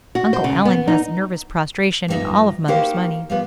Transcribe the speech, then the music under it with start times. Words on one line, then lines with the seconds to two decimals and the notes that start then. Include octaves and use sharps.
Uncle Allan has nervous prostration and all of mother's money.
0.15 F#4
0.33 C5
0.44 C#3
0.65 B3
0.88 D#4
2.08 G2 F3 A3 D#4 E5
2.68 A#3 D#4 F#4 G4 A#4 C5
3.30 F3 G3 B3